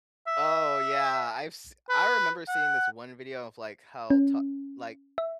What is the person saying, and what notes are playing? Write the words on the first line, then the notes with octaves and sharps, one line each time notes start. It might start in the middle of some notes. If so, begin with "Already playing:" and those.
Oh, yeah, I've s I remember seeing this one video of, like, how ta like,
E5
B4
F#5
C#4
E5